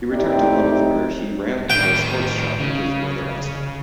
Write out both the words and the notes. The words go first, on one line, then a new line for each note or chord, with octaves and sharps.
He returned to Plymouth, where he ran a sports shop with his brother Austin.
A2 A3 C4 D#4 G4 D5
A2 D#3 G5
C#3